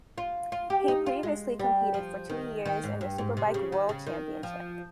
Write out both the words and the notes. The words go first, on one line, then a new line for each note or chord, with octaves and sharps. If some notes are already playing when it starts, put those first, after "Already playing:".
He previously competed for two years in the Superbike World Championship.
F4
F4
G4
D#4
F4
G#3
G3
F3
D#3
D#3
G#2
G2
G#2
C3
C#3
D#3
C#3
D#3
F3